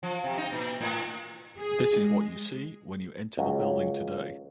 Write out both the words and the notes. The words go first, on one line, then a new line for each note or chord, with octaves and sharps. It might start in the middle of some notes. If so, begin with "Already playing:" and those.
This is what you see when you enter the building today.
F3
C3
D#4
A#2
A2
G#4
G#3
C#2 F#3